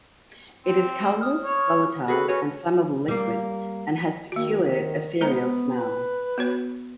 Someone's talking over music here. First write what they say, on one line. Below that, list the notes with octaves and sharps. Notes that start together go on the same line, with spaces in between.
It is colorless, volatile, and flammable liquid and has peculiar ethereal smell.
C4
D#6 F6
C#5
F#4 G#4 A4 B4
C#4 F#4 B4 C#5
G3 A#3
D#3 A#3 F#4
G#3 B3 C5 A#5
B4
B3 F#4 C#5